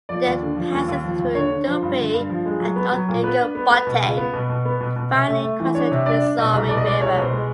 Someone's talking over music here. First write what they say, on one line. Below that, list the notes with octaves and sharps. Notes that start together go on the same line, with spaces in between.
It then passes through Dupree and North Eagle Butte, finally crossing the Missouri River.
F3 D5
D#2
D3
F3
D#2
D#2
F3
D#2
D3 C#5
D3
F3 C5
G2
D3
G2
F3
G#3
F#3
B3
F#3
A#2
B3 B4
D4
B3
B3
B2
C#2
B3
B2
B2
B3
B2
B2
C3
A3
A3
E3
D4 C#5
C3
D4 D5
D4
B2 D#5
C2
B2 D5
D#5
G#3 D5
C2 C#5
B2
C5
G#3